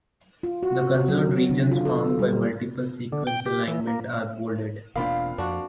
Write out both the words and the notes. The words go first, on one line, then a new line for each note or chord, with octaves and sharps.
The conserved regions found by multiple sequence alignment are bolded.
F4
F#4
C4
F#3
D3
F4
A4
G3
D3
G5
G4
E3
A#3
E1 B2 A#3 C4 D4 F4 F5 B5
F2 D4 F#4